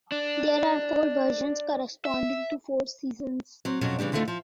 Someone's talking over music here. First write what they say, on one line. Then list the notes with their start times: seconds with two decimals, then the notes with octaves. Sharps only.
There are four versions corresponding to four seasons.
0.12 D4
2.05 E5
3.65 F#3 C4
3.81 F2 B2 F#3 C#4
3.98 C#3 E3 G3 D4
4.12 D2 D3 D#3 G3 A3 F4
4.28 F3